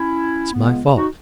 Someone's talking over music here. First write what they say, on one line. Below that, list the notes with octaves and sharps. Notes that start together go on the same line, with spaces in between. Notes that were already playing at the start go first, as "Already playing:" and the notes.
It's my fault.
Already playing: C#4 E4
C#2 C#3 G#3 B3
D#4 F#4